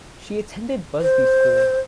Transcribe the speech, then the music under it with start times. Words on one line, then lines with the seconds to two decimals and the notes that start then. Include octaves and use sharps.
She attended Busby School.
1.01 C5